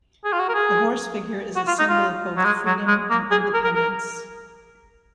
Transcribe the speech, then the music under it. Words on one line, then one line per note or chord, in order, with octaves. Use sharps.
The horse figure is a symbol of both freedom and independence.
G#4
F4
F#4
A#4
G#4
F#4
F4
D#4
F4
F#3
G#3
F#3
G#3
A#3
G#4
A#4
A#4
A#4